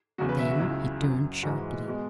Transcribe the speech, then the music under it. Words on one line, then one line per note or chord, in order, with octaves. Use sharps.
Then he turned sharply.
E2 C#3 F#3 F#4
B4
E5
F#4
C#2 C#3 F#3 E4
F#2 F#3
G#2 E3 G#3 F#4
B2 G#3